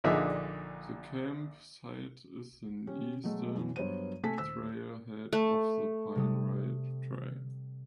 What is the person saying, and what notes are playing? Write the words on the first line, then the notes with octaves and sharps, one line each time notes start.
The camp site is the eastern trail head of the Pine Ridge Trail.
A#1 A#2 D3 D#4 G#4 E5
C#4 G4
B2 F#3 G#3 A3
F#2 E3
G2 F#3 B3 C5 C#5 D#7
C3 A3 A4 G#5 A5 B6
D#1 C5 E6 B6
A3
C3 G3 D#6